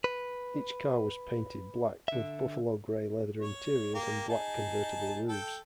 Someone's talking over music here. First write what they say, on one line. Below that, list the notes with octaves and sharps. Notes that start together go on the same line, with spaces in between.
Each car was painted black, with buffalo grey leather interiors and black convertible roofs.
B4
D3 E5
C#5
A#3 G4
D#4 G#4 A5
A4 G5